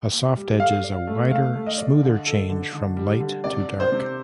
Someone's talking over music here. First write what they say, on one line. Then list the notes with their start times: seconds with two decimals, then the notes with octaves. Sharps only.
A soft edge is a wider, smoother change from light to dark.
0.13 A#2
0.36 G3
0.60 A4 F5
0.84 D5
1.07 A3
1.31 A3 F5
1.55 A3
1.66 D#5
1.78 D5
2.03 D3
2.26 A4
2.49 D3
2.73 D3
2.96 G3
3.20 D3
3.44 C3 D5
3.69 D4
3.80 C5
3.92 C3